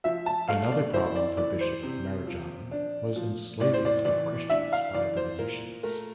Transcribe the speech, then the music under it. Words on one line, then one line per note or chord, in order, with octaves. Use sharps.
Another problem for Bishop Marijan was enslavement of Christians by the Venetians.
F3 E5
A5
A3 F5
D5
E4 C5
D5
E3 D5
C5
C3
F3
D4
F3
A2 D5
C5
D5
E3 D5
D4 E5
F5
E3 D5
C5
A#2 A#4
A3 A#4